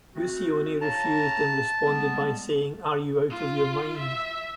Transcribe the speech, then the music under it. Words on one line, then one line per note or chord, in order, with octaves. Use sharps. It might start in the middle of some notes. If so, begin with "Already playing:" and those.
Guccione refused and responded by saying Are you out of your mind?
A3 C4 F#4
C#5 F5 A5 A#5
G3 G#3 B3
F4
E5